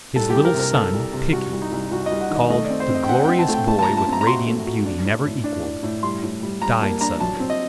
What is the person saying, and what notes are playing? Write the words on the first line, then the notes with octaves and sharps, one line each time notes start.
His little son Pickie, called "the glorious boy with radiant beauty never equalled," died suddenly.
C2 A4
G4
C2
A#4
C3
A#4
C3 A4
C2
C3
C2 F#4
C2
D#4
C2
C2 F#4
D#5
C2
F#5
D#3 D#5
A3 D#5
C4 D5
C5
C4 D#5
G5
C4 F#5
C4 G5
A5
A3 G5
A3 A5
A5
A#5
A#2
A5
C4 A#5
A#5
F#4 C6
A3
F#4
D4
A2
A2
D4
D4
A2
G3 C6
A2
G3
G3 A#5
A#3 A5
D4 A#5
F#3 A5
C4
D#5